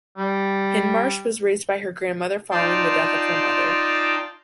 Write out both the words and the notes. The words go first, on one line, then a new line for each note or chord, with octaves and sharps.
Hindmarsh was raised by her grandmother following the death of her mother.
G3
D#4 F4 D5 G5 A5 C6